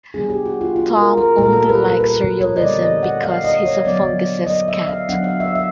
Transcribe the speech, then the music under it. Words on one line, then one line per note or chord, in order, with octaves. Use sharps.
Tom only likes surrealism because he's a fungus's cat.
C3 E3 G3 B3 D4 G#4
G4
F#4
F4
F4
A#4
A#4
A#2 G3 A#3 A#4
A4
A#4
B4
B4
C#5
D#5
D3 G3 B3 D5
D#5
F#5
F5
D#5
C#5
D3 F#3 B3 D5
D#5
E5
F5
F#3 B3 D4 F#5
F5
E5
E5